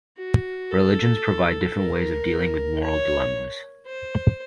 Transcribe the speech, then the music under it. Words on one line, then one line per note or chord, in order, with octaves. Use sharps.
Religions provide different ways of dealing with moral dilemmas.
F#4
A4
A#4
C#5
C5